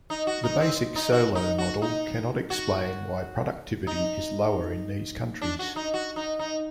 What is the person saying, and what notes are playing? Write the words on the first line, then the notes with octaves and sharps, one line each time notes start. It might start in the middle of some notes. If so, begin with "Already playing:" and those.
The basic Solow model cannot explain why productivity is lower in these countries.
D#4
F#4
D#4
C4
D#4
F#4
D#4
F#4
D#4
F#4
D#4
D4
F#4
D#4
F#4
D#4
D#4